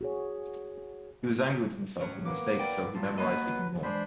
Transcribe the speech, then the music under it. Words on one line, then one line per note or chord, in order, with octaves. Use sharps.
He was angry with himself for the mistake so he memorized even more.
F#4 G#4 C#5
A2 F#3 C#4
A#3 B3 D6
D5 G5
A2 F#3 F4 A5
F#3 A#3 B3 B4 D#5
E3 G#3 D4 C5 B5